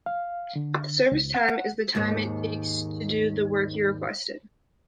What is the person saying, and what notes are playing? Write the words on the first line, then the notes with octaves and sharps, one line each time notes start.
The service time is the time it takes to do the work you requested.
F5
D3
C#2
F#5
D#2 G#2 D#3